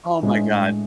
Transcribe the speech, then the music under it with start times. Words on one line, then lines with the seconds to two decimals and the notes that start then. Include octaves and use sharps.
Oh my god.
0.23 A2 G#3 B3 D4